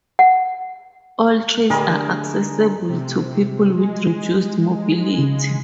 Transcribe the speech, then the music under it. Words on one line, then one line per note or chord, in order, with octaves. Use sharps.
All trails are accessible to people with reduced mobility.
F#5
D3 A3 D4 G4 G#4 A#4 D#5 B5
C3
G#3
C#3